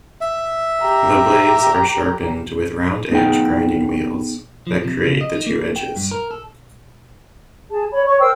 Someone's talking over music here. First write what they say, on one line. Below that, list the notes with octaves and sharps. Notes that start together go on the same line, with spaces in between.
The blades are sharpened with round-edged grinding wheels that create the two edges.
E5
G4 A#5
B3 D#4 G#4 F#5 G5
F3
C3
C#3
D#5
D#4
A#3
G5
G2
A#4
A4
G#4 A5
C#5 B5
C#5 C#6
A#4 C5 G5 E6